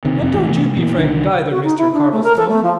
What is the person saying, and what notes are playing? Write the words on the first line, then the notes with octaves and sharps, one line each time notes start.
And don't you be frightened, either, Mr. Cardlestone.
C3 D#3
F1 A#1 F2 C3
G#1 A2 E3 A3
C3 E3 A3 B3
A#2 E3 B3
C2 D3 D#3
F#4
D#4
E4
D4
A3
A#4
A4
A3
F3